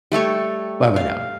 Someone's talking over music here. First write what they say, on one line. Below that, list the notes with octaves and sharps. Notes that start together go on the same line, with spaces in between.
Bye-bye now.
G3 A3 A4 C#5
F5